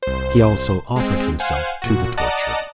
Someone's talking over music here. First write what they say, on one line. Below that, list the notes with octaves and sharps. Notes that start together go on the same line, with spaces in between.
He also offered himself to the torture.
C2 C5
G#3 C4
C5 F5 F#5 G#5
A#2 F#4
D5 D#5 F#5 A5 A#5